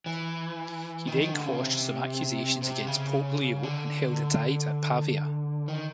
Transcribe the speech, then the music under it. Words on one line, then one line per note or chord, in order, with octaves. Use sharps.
He then quashed some accusations against Pope Leo and held a Diet at Pavia.
E3
D#3
D#3
D3
C#3
C3
C3
C#3
D3
D#3